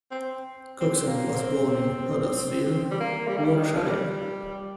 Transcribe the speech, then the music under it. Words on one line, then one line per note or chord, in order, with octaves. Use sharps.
Coxon was born in Huddersfield, Yorkshire.
C4
C4
A#3
C4
G3
A#3
G3
A#3
G3
D#3
F3
G3